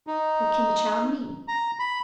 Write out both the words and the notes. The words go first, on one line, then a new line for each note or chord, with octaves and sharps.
What can the child mean?'
D#4
A#5
B5